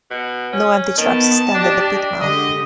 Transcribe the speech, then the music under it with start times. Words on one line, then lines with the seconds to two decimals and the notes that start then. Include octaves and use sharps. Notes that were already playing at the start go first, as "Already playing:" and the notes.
No empty trucks stand at the pit-mouth.
0.11 B2
0.52 C#4
0.97 D#3 B3 A5
1.55 D4 G4 D#5
2.20 D3 G#3 G4 D#5